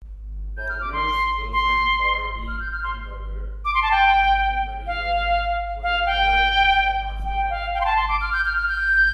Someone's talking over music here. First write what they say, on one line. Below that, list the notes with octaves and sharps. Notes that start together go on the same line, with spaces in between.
Bogner's girlfriend Barbi Henneberger and American Buddy Werner were recovered but had not survived.
G6
F6
D6
C6
C6
F6
G6
F6
C6
D6
C6
A5
G5
F5
F5
G5
G5
F5
G5
C6
A5
C6
D6
F6
G6
F6
F6
G6